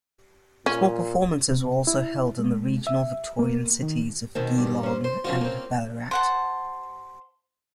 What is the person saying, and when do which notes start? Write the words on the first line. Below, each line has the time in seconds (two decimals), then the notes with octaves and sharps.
Small performances were also held in the regional Victorian cities of Geelong and Ballarat.
0.66 A#2 C#4
1.51 C3
1.87 E4
2.39 G#3
2.87 E5
3.39 A#3
3.82 D#3
4.35 B2 D#3 C4
4.58 G2
4.83 C#4 C5
5.04 C5 C6
5.24 F3 C4 C#4 F4 F#4
5.41 A#3 C4
6.11 C5 F#5 A5